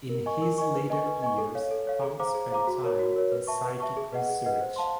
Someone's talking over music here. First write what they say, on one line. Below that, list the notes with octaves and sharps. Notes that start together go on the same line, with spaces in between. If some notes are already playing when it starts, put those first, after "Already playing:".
In his later years, Funk spent time on psychic research.
A#4
D#5 G#5 C#6
A#4
D#5 G#5 C#6
B4
D#5 G#5 C#6
B4
D#5 G#5 C#6
A4
C#5 F5
A4
C#5 F5
G#4
C5 F5 A#5 D6
G#4
C5 F5 A#5 D6
F#4
A#4 C#5
F#4
A#4 C#5
B4
E5 A5 C#6
B4
E5 A5 C#6
G#4
B4 D#5 F#5
G#4
B4 D#5 F#5
C5
F5 A5 C6